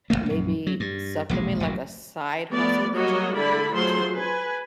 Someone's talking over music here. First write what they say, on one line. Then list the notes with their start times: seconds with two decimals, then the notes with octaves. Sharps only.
maybe supplement, like, a side hustle that you can do to
0.10 D1 G#2 A3 A#3
0.26 A#1 F#2
0.67 F#3
0.80 G2
1.29 E1 A#1 G#2 G#3
1.60 E1 A1 F#3
2.50 F3 A3 B3 D5
2.95 F#3 G3 A#3 F#4 C#5 D#5
3.36 D3 E4 D5 B5
3.74 F#3 A3 F4 G#4 C5 C6
4.16 B4 G#5